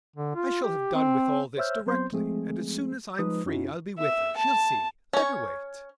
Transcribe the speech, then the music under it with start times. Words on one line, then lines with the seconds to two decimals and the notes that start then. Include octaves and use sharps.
I shall have done with all this directly, and as soon as I'm free, I'll be with her, she'll see, let her wait.
0.16 D3
0.35 F4
0.63 G4
0.94 C4
1.57 C5 C#5 E5 E6 F6 G6
1.87 F#3 B3 C4 C5 C6 G6
2.12 F3 G#3 A3 C4 G#4
3.19 F3 G#3 D#4 B4 D#6
3.45 F#2 C#4 D#4 E4 F#4
3.99 E5
4.37 A5
5.13 C#4 C#5